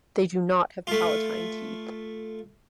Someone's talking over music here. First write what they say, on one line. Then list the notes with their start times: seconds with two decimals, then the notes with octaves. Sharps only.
They do not have palatine teeth.
0.87 A3 F4